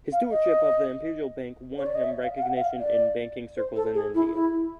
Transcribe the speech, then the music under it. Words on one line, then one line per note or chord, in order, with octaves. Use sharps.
His stewardship of the Imperial Bank won him recognition in banking circles in India.
F5
D#5
C#5
D5
D#5
E5
F5
F5
F#5
E5
F5
D5
C5
A4
G#4
E4
E4